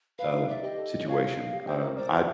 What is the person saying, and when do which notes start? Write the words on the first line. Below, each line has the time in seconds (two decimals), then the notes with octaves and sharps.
uh, situation. Um, I
0.19 B4 F5
0.34 D#4
0.48 D5 E5
0.63 G4 D#5
0.78 A4
0.93 C#4
1.08 C#5 F5
1.23 F#4
1.37 D#5
1.53 G4
1.67 C5 G5
1.82 A#4
1.97 C5 D5
2.12 F#4